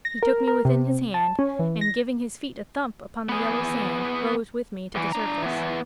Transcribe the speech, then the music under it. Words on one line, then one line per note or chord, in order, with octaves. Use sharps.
He took me within his hand and, giving his feet a thump upon the yellow sand, rose with me to the surface.
A#6
A#4
A#4
C3
A5
C#4
E3
A#6
B3 G#4
E2 E3
D4 A#5
E3 B3